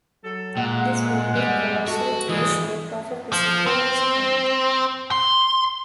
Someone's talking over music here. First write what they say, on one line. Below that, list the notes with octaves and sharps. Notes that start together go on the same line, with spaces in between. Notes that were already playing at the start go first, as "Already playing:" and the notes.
This would be closer to the shape of a physical spring.
F#3 A4
A#2 G#3 F#5
G3
F#4 A4
A2 E3 G3 G#3 D#6
F3
C4
C6